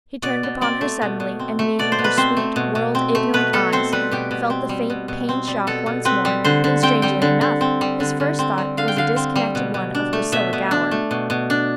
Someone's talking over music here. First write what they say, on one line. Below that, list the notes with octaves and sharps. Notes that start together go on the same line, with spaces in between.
He turned upon her suddenly, and meeting her sweet, world-ignorant eyes, felt the faint, pained shock once more, and strangely enough his first thought was a disconnected one of Priscilla Gower.
B2 D5
B2
C4 D5
A3
B2
B2
C4
A3
B2 D5
C5
B2
B4
C4 C5
A3
B2
B2
C4
A3
B2 B4
B2 A4
C4 C5
G3 B4
B2 G4
B2
C4
G3
B2
B2
C4
G3
B2 A4
B2
C4 B4
G3
D3 C5
D3
C4 G5
G3 G5
D3
D3
C4
G3
D3
D3
C4
G3
D3 F5
G5
D3 F5
C4
G3
B2
B2
D4
A3
B2 E5
B2
D4
A3
B2
B2
D4